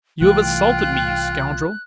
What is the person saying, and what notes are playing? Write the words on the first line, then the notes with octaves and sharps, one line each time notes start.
"You have assaulted me, you scoundrel!"
C2 E3 A3 F4 F5 G5 F#6